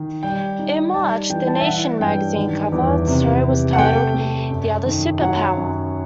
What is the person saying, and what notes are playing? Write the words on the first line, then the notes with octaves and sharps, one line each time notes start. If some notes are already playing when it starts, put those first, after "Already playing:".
In March, "The Nation" magazine cover story was titled "The Other Superpower".
Already playing: D#3
G3 G5
D#4
G3 A5
E3 G5
A5
E5
E4 F#5
G2 G5
D#3
E2
C3
C3
F#5
A3 G5
A3
F#2
D#3
F#3 F#5
F#2